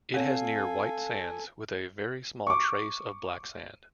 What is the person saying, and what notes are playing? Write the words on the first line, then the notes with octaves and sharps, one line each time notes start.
It has near white sands with a very small trace of black sand.
C4 A4 C#5 F5 G#5
C#6 D6